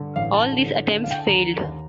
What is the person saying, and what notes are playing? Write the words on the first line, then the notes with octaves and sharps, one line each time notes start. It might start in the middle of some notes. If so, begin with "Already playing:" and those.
All these attempts failed.
Already playing: G2 D3
A1 F5
A5
D3
D3
F5
G5
A5
D#2 A#5
D#2